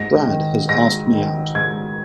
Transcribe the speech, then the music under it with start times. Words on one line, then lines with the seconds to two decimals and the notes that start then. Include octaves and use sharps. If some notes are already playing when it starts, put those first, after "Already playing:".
Brad has asked me out.
Already playing: G#2 A#6
0.26 D#3
0.69 G#2 A#6
1.12 D#3
1.55 G#2 G#6